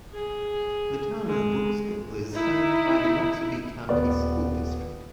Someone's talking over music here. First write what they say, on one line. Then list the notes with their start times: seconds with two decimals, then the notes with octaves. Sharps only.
The town of Brooksville is served by the Noxubee County School District.
0.13 G#4
1.25 G#3
2.32 D#4 E4
3.89 D#1 B3 D5